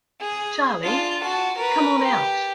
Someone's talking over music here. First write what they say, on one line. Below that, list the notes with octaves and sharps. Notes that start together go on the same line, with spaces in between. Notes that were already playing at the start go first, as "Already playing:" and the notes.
Charley, come on out!
G#4
D4 F4
F#4 A5
A#4 B4
G4